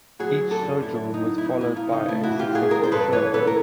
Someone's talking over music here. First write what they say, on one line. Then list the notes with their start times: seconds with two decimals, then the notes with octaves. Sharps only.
Each sojourn was followed by a successful show.
0.19 F#3 F#4 G#4
0.40 F#2
0.51 G4 A4
0.61 D3
0.82 F#2 E4
1.03 F#3
1.14 D#4
1.24 F#2
1.38 E4
1.45 E3 D#4
1.61 D2 E4
1.76 D#4 F4
1.87 C#3
1.92 D#4
2.08 A3 E4
2.23 E4 F#4
2.29 E3
2.39 F4 G4
2.50 D2
2.55 F#4 G#4
2.70 G3 G#4 A#4
2.83 C5
2.91 G2 A4 B4
3.12 E3 B4 C#5
3.33 B3 A4 B4
3.47 A#4